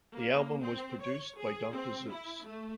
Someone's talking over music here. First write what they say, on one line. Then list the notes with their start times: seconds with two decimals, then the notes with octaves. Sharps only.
The album was produced by Dr Zeus.
0.16 A#3
0.61 C4
1.01 C#5
1.39 G#4
1.75 C4
2.12 E4
2.46 A3